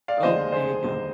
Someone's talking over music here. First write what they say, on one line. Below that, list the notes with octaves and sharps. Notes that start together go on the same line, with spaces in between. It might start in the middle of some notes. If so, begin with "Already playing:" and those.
Oh, there you go.
D5 F5
F1 D#2 D3 G#3 C5 D#5
G#4 C5
F1 D#2 D3 G#3